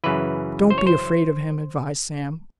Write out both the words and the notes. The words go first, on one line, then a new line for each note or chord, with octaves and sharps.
"Don't be afraid of him," advised Sam.
F#2 C#3 E3 B4
C5
C#5
C5